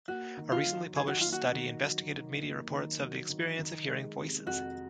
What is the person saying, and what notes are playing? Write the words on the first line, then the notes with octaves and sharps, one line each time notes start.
A recently published study investigated media reports of the experience of hearing voices.
A#3 F#4
D#3
F4
F#3
D#3 G#4
F#4
A#3 F4
F#4
D#3
F#3
D#3
A#3
D#3
F#3
D#3
D#3
G#3
C3
F2 F#4